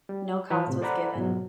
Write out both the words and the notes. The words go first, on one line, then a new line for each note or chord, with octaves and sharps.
No cause was given.
G3
E3 B4 C#5
A2 C3
A4 C5 D5 F#5 A#5 B5
G#2 B2 F#3